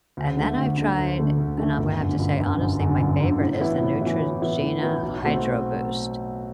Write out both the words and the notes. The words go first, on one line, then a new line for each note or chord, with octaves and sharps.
and then I've tried and I'm gonna have to say honestly my favorite is the Neutrogena Hydro Boost,
D2
D3 A3
D2
D3 A3
D2
D3 A3
D2
D3 A3
G1
F#2 D3
G1
F#2 D3
G1
F#2 D3
G1
F#2 D3
A2
E3 B3 E4
A2
E3 B3 E4
A2
E3 B3 E4
A2
E3 B3 E4
B1
B2 A3 C4